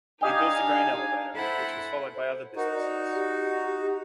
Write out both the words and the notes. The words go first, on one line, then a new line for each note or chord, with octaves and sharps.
He built a grain elevator, which was followed by other businesses.
D4 D#4 G4 D#5 F5 G5 G#5
E4 A4 C5 F#5
C5
D#4 F#4 A#4
D5
G4
G4